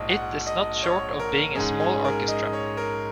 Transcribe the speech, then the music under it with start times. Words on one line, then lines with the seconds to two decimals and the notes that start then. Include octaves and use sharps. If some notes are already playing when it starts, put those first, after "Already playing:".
It is not short of being a small orchestra.
Already playing: A#1 G#2 G#3 D#5
0.10 F#5
0.47 D#5
0.83 C#5
1.20 A#4
1.55 G#2 G#3 C#4 G#4
1.80 G#4
2.05 A#4
2.28 D#5
2.53 C#5
2.77 A#4